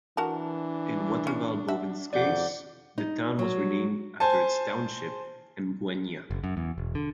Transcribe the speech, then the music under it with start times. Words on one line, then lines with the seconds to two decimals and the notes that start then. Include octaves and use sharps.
In Waterval Boven's case, the town was renamed after its township, Emgwenya.
0.17 E3 D4 F#4 A#4 A5
1.27 C#4
1.68 F#4 E5
2.13 F2 D5 F#5 D6 G6
2.98 D#4
3.39 F#3
4.20 C5 G#5 A5
6.31 F#1
6.44 F#2
6.57 E2
6.78 E1
6.95 D3